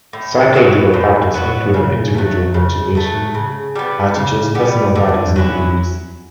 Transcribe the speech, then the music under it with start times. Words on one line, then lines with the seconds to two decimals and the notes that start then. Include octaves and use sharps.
Psychological factors include an individual's motivation, attitudes, personal values and beliefs.
0.13 A2
0.54 F#3 B3 F#4
0.94 A2
1.34 F#3 B3 F#4
1.74 C#3
2.15 F#3 A3
2.54 C#3
2.95 F#3 A3
3.35 C#3
3.75 G3 B3
4.15 C#3
4.55 G3 B3
4.95 D3
5.36 F#3 C#4 E4